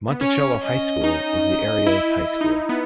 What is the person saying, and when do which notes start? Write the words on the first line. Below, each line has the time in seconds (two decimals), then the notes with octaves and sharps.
Monticello High School is the area's high school.
0.10 B3
0.21 C#4 C#5
0.63 D#5
1.04 D#4
1.86 E4
2.41 D#4
2.69 B3